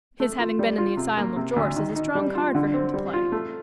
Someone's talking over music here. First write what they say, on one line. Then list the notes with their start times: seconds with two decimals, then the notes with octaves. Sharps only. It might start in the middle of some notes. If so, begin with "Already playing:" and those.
His having been in the asylum of Jorce is a strong card for him to play.
0.20 A3
0.39 F4
0.59 G3
0.78 F4
0.97 C3
1.17 A#3
1.36 C3
1.56 D2
1.76 D#3
1.96 D#4
2.15 G3
2.35 F4
2.55 D3
2.74 C4
2.94 G3
3.13 F4
3.32 A3